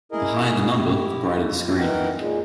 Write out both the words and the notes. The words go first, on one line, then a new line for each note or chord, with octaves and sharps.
The higher the number, the brighter the screen.
E4 G#4 A#4 D#5
E4 G4
F4
E3 D#4 A#4 F#5 G5
A#2 G#3